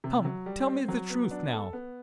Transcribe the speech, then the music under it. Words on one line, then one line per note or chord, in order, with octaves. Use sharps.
"Come--tell me the truth now."
C3
F#3
G3
C4
F#3
B3
D4
A4
B3